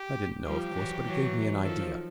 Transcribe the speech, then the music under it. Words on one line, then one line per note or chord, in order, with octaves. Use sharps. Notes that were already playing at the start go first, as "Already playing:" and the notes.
I didn't know, of course, but it gave me an idea.
Already playing: G4
F3 G3 G4
E3 F#3
E3 F#3
D#3 F3 A4